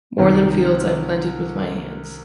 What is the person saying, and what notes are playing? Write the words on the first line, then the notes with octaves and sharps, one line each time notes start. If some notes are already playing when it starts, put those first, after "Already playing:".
More than fields I've planted with my hands.
C2 C3 D#3